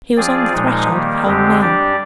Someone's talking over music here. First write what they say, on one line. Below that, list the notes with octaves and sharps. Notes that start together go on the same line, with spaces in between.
He was on the threshold of home now.
F3 C4 F4 G#4 D5
A#2 F3 G#3 D#4
D#3 G3 A#3
F2 D3 G#3 C4 G4
G3 D4 G4 D5